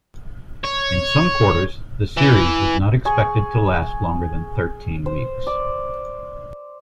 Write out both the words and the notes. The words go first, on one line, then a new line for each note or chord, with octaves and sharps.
In some quarters, the series was not expected to last longer than thirteen weeks.
C#5
E3
G#4 C#6
C5
D5